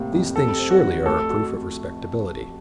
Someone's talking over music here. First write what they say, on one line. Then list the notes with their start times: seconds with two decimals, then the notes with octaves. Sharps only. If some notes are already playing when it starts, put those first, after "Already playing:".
These things, surely, are a proof of respectability.
Already playing: A2 C3 A#3
0.12 F2
0.36 C3 A4
0.59 C4
0.70 F#4
0.82 F2
1.06 A3 A4
1.29 F#4